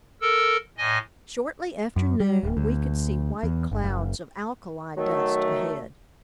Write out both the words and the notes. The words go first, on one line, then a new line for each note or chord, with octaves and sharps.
Shortly after noon we could see white clouds of alkali dust ahead.
A4 A#4 E6
A2 D#5 G#5
F#2
G3
D1
D2
E2
G1
F#1
D#3 F#3 A3